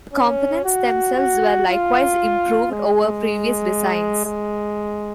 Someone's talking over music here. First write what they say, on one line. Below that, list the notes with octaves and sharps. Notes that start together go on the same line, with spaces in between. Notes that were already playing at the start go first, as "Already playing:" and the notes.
The components themselves were likewise improved over previous designs.
C#4
F#4
F#4
F4
G#3
G#3